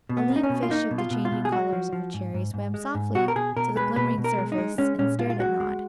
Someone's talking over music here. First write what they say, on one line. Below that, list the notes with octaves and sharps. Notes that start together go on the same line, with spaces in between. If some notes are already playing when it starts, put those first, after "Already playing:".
A lean fish of the changing colours of a cherry swam softly to the glimmering surface and stared at Nod.
B2
B3
A#3
D#4
C#4
B2
F4
A#3 D#4
B2
F4
B2
F4
B2
G#4
G#3 F#4
F3
F3
G#2
G#2
G#2
G#3
G#2
B2 F#4
A#4
B2 G#4
B2 A#4
G#3 B4
B2 B4
B2
A#4
G#3
D#4
G#3
G#3 C#4
A#2 C#4
G#3 F4
F4
G#3 F#4
G#3